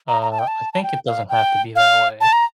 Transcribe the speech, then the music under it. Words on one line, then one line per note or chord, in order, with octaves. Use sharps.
Uh, I think it doesn't have to be that way.
A#5
A#5
A5
G5
A5
A5
G5
F5
G5
F5
A5
A#5